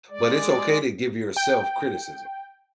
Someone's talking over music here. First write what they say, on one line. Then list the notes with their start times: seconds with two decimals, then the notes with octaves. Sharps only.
but it's okay to give yourself criticism,
0.10 G#3 D5
1.37 G5